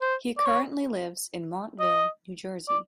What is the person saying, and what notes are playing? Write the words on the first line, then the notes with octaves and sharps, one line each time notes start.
He currently lives in Montville, New Jersey.
C5
D5
C#5
D#5
D5